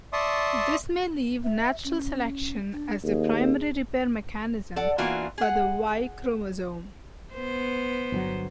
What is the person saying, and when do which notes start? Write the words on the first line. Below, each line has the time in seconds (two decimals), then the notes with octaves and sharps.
This may leave natural selection as the primary repair mechanism for the Y chromosome.
0.13 D5 E5 A5 C6 C#6 D#6
1.44 E5
1.84 C#4
2.72 D4
3.04 D#2 G#4
4.76 A4 D5 F#5
4.98 E3 A#3 B3 D4 F4 F#4
5.38 G#4 F#5
7.33 B3 C5
8.12 G1 A#2 F#3